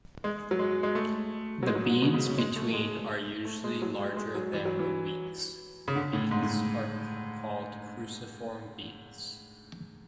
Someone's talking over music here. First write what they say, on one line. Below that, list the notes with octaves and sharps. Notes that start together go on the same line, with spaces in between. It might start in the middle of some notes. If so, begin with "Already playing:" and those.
The beads between are usually larger than the "weeks" beads are called "cruciform" beads.
G#3
F#3
G#3
G#3
A3
F#3
G#3
F#3
G#2
B2
C#3
F#3
G#3
A3
G#3
A3
G#3
F#3
G#3
G#3
F#3
E3
F#3
E3
C#3
D3
A2
G#2
A2